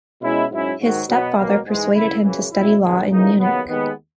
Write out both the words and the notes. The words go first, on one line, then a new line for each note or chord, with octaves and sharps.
His stepfather persuaded him to study law in Munich.
B2 G#3 C#4 E4
G#2 F#3 C#4 E4
G#2 D#3 F#3
B2 F#3 B3
B2 F#3 A#3
G#2 E3 G#3
C#3 E3 A#3 E4
F#2 C#3 E3
B2 F#3 C#4 E4
D#2 C#3 G#3 B3
C#2 C#3 E3 A#3 D#4
D#2 C#3 F#3 B3
D#2 D#3 G#3 B3